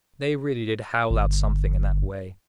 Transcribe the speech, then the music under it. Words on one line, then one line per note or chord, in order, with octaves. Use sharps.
They really did howl out something in that way.
G1